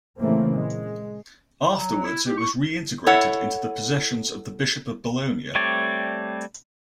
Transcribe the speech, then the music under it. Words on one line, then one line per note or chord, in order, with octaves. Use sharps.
Afterwards it was reintegrated into the possessions of the Bishop of Bologna.
A#2 C#3 E3 A3 A#3 C4
G#3
F#3
E4
G4
C#6
E4 A4 C#5 F#5
G3 A3 C4 C#5 D5